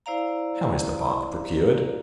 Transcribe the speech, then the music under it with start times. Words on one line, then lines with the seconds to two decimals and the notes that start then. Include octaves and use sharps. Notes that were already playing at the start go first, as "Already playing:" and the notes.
How is the bark procured?
0.06 E4 C5 D5 F5 A#5